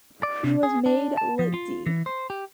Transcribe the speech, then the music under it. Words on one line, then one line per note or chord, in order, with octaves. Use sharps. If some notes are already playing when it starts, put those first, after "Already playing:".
He was made Litt.D.
D5
C3
G#4
D4
A5
F3
F4
E3
C5
G4